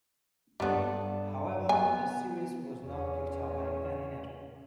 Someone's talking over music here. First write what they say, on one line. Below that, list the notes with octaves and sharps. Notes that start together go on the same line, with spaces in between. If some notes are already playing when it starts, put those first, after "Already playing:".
However, the series was not picked up by any network.
G2 G3 B3 A4 D5
B3 G#5
E2 C#4